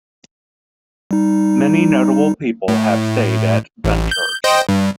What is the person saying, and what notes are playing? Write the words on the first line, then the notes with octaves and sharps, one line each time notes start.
Many notable people have stayed at Dunchurch.
G3 D#4
A2
A1
G6
C5 D#5 G5
G2